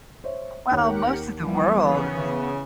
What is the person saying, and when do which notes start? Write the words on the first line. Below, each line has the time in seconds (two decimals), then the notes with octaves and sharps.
Well, most of the world, I mean
0.24 C5 C#5 E5
0.71 D#2 G4 A#4 C#5 F#5
1.41 E3 F3 G3 B3
1.93 C#3 C#4